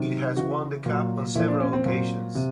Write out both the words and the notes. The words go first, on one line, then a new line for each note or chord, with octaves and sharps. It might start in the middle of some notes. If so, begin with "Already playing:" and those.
It has won the cup on several occasions.
Already playing: C3 D#3 F#3
C#3 E3 F#4
A#2 F#3
A#2 F3 E4
D4
C#4
C4
A#2 F#3
C3